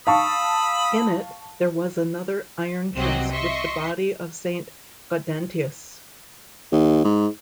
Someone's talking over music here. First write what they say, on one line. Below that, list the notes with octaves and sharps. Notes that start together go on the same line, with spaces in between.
In it, there was another iron chest with the body of Saint Gaudentius.
F5 A5 B5 C#6 D#6 E6
C2 C3 F#3 C4 F#4 D#5
D#5 E5 C6 C#6
D#2
G#2